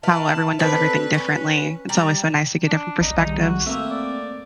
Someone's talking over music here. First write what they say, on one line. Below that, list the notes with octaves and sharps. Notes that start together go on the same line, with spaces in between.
how everyone does everything differently. It's always so nice to get different perspectives.
E4 F4 B4 A5
C4 A4 B4 D5
C#4
G3 A#5
D4
C2 D#4
B1 D#3 G3 D#4
F#4
A3 A#3 C4 E5
D5